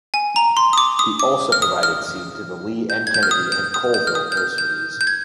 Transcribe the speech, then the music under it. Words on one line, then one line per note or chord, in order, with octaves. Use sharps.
He also provided seed to the Lee and Kennedy and Colvill nurseries.
G#5
A#5
C6
D#6
D6
D#6
D6
F6
D#6
F6
G6
G#6
G6
F6
D#6
G6
D#6
G6
F6
D#6
G6
F6
G6
G6
G#6